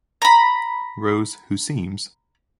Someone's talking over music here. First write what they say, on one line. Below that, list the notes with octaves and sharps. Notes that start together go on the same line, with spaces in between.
Rose who seems.
A#5 B5